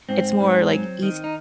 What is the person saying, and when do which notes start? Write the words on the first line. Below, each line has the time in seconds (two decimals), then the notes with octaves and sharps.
it's more, like, easy
0.09 G#2 C4
0.40 G#2
0.71 F#3
1.03 D#3
1.24 D#4